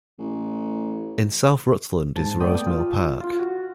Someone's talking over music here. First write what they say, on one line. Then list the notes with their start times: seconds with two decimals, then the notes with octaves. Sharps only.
In south Rutland is Rose Mill Park.
0.19 A1
2.16 G#2 A5
2.40 A3 B3 D5 G5 D#6
2.67 F4
3.21 F4
3.39 F#4